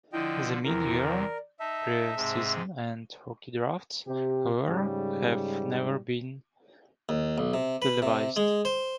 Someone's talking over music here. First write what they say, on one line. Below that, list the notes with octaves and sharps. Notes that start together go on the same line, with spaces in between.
The mid-year, pre-season and rookie drafts, however have never been televised.
D3 F3 E4 D#5 G5
E2 C3 E4 A#4
D5
D#4 E5 A5
G#2 C3 G#3
C3 G4
G#2 C#3 G3
D#2
B1
C3
B4
C3
G#3
C5